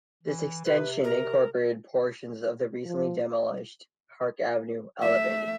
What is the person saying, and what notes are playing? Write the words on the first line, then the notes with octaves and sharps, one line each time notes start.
This extension incorporated portions of the recently demolished Park Avenue Elevated.
E3
C3 B4
A#4
F3
A3 E5